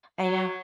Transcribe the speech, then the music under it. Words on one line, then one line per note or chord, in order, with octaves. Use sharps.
I know.
F#3